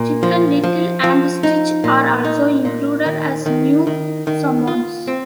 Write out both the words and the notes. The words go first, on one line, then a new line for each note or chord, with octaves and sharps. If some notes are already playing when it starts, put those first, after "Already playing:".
Chicken Little and Stitch are also included as new summons.
Already playing: A#2
F3
F3
F3
D#4
A#2
D#4
A#2
D#3
D#3
D#3
D#3
F4
C4